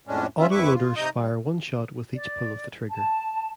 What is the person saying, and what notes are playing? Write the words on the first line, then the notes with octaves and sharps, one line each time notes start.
Auto loaders fire one shot with each pull of the trigger.
F2 A2 G#3 C#4 D4
A2 C#4 F4 E5
F2 E4 B4 E5 C#6 D6
F4
C3 D#4 D#5 A#5 D#6 G6
G3
D5
A5